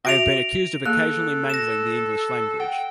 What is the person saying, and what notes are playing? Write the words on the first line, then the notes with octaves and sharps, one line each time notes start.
I have been accused of occasionally mangling the English language.
F#4 E5 A#6 D7 F7
A#3 G#4 A4 F#6
A#6 E7
F#5 G5